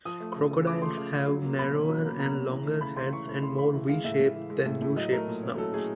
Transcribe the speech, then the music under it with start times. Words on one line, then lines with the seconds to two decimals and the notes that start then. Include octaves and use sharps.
Crocodiles have narrower and longer heads, and more V-shaped than U-shaped snouts.
0.05 F3 D#6
0.20 A3
0.36 C#3
0.51 C#3
0.67 F3 D6
0.82 A3 C6
0.97 C#3
1.12 C#3
1.28 F#3
1.43 A#3
1.58 B2 B5
1.75 C#4
1.89 F#3
2.05 A#3
2.19 B2 A#5
2.35 C#4
2.51 E3
2.66 A3
2.81 C#3 B5
2.96 C#3 C6
3.12 E3 C#6
3.27 A3
3.43 C#3 C6
3.58 C#3 B5
3.74 E3
3.89 G#3 F5
4.04 A2 E5
4.20 A2
4.36 E3
4.50 G#3
4.66 A2
4.82 A2
4.96 F#3 D#5
5.12 A3 A#4
5.27 A#2
5.43 C#4
5.57 F#3 A4
5.74 A3 G#4